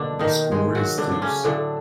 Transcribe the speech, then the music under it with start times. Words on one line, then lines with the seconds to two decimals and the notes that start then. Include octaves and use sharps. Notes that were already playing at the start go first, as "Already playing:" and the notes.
The score is deuce.
Already playing: B2 D3 A#3 D4
0.19 D#3 D#4
0.51 G#3 G#4
0.75 F#3 F#4
0.98 D3 D4
1.12 D4
1.22 C#3 C#4
1.44 A2 D3 F#3 A3 D4